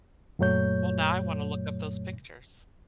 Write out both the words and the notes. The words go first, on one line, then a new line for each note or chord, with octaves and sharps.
Well, now I wanna look up those pictures.
F#2 A#2 F#3 A3 C#5 G6